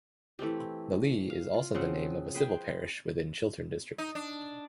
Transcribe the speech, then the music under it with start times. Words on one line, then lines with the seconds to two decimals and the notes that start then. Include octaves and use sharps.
The Lee is also the name of a civil parish within Chiltern District.
0.39 E3 A3 C4 G4
1.30 F5
1.54 F4
1.74 C#3 F3 C4 F#5
2.34 G#4 B4 C5 G5
3.98 D#4
4.15 D4